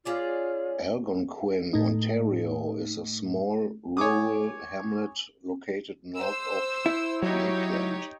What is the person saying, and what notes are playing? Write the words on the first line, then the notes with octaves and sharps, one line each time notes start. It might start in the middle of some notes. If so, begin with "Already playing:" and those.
Algonquin, Ontario, is a small rural hamlet located north of Maitland.
C#4 F4 G#4 D5
A2 A3 D#4
C#5 G#5 D6 D#6
C5 E6
E4
F#3 D#4 G4 C#5